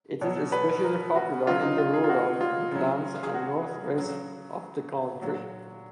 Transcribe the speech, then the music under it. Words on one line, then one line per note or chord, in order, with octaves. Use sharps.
It is especially popular in the rural Midlands and North-West of the country.
B2 F#3 C#5
B4
A#4
F#4
C#3 F#3 F4
D#4
F4
G#4
F4
F#4
F4
C#3 F#3
G#4
F#4
C#3 F#3
A#2 F#3